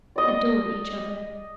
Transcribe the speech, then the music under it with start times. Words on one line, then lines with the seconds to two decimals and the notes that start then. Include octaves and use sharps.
Adore each other.
0.16 D5 D#5